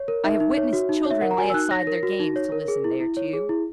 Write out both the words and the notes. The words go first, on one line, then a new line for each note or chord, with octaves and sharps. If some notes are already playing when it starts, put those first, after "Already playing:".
I have witnessed children lay aside their games to listen thereto.
Already playing: C#5
A#4
D#4 E5
D#4
C#5
F#4
D#4
C#5
E5
A#4 F#5
A#5
F#4 G#5
E6
D#4 F#6
C#5 A#6
A#4
F#4
D#4
C#5
A#4
G#4
E4
E4
C#5
G#4
E4